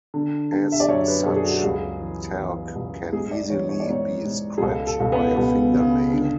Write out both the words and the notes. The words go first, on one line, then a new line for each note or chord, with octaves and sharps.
As such, talc can easily be scratched by a fingernail.
D3
D3
E5
D5
F#2 C#5
B4
F#2 A4
G#4
F#4
C#2 G#4
E3
E3
C#2
G#2 G#4
D5
E3 C#5
C#5
D5
G#2 C#5
G#2
G#4
C#2 A4
A4
C#2
B3
C#2
C#3
D3